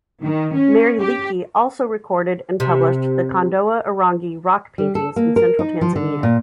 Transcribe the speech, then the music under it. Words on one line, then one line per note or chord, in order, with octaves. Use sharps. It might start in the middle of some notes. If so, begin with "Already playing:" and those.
Mary Leakey also recorded and published the Kondoa Irangi Rock Paintings in central Tanzania.
D#3
C#4
G4
C3
G3
A4
A#3
A#4
D#4
F3
D3
A#2